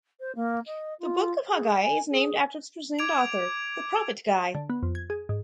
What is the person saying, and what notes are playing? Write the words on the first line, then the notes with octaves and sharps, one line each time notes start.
The Book of Haggai is named after its presumed author, the prophet Haggai.
C5
A#3
D#5
F4
G#4
G#5
G#4
D6 G#6 D7 F7
D3
B3
F2
G#6
G#4
G#2